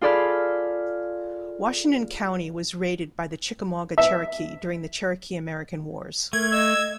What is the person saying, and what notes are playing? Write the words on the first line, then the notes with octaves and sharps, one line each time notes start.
Washington County was raided by the Chickamauga Cherokee during the Cherokee-American wars.
F4 G#4 A4 D5 B5 F6
E5
A3 A#4 G#6
D#5 E6